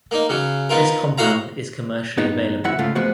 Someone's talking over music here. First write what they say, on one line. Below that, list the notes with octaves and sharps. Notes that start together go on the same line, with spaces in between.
This compound is commercially available.
A#3 D#4
C#3 F#3
B3 D#4 F4 A#4
A2 F#4 F5 A#5
G2 B3 D#4
F#2 F#3 E4 E5 F#5
G#2 C#3 A3 F4
F3 G#3 A3 B3 F#4